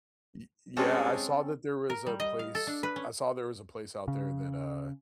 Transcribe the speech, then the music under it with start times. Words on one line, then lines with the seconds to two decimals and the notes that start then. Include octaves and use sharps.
Y Yeah, I saw that there was a place I saw there was a place out there that, uh
0.77 G2 C3 G#3 C4 C#4 A4
1.90 A#4
2.06 G3
2.20 D#5
2.39 F5
2.55 A4
2.67 D4
2.83 B4
2.96 C#4
4.08 C#3